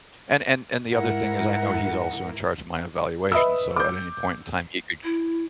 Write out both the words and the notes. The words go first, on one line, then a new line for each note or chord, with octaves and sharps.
And and and the other thing is I know he's also in charge of my evaluation, so at any point in time, he could
G#2 E4 A#4 F#5
B4 D#5 E5 B5 D#6 E6
D6 G6
E4